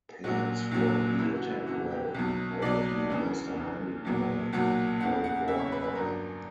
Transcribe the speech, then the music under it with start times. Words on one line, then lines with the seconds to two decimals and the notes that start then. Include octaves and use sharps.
Plans for the attack were reportedly masterminded by Golwalkar.
0.24 A#1 A#2 F#3 F#4
0.71 A#1 A#2 F#3
1.18 F#1 F#2 E3 E4
1.36 F#4
1.51 E4
1.66 F#1 F#2 E3 F#4
1.91 G4
2.14 B1 B2 F#3
2.62 B1 B2 F#3 D5
3.10 D2 C#3 E3
3.57 D2 C#3 E3
4.05 B1 A#2 F#3
4.53 B1 A#2 F#3 F#5
5.00 F#1 E2 C#3 F#5
5.24 F#5
5.48 F#1 E2 C#3 E5
5.59 C#5
5.72 B4
5.84 B4
5.95 G1 G2 F#3 A#4